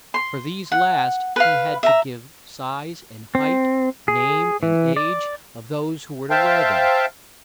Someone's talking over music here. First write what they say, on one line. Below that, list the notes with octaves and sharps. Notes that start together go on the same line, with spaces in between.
For these last he had to give size and height, name, and age, of those who were to wear them.
C6
F#5
B4 F5
E5 A#5
C4
G#4
E3
D5
C5 E5 F5 G5 A5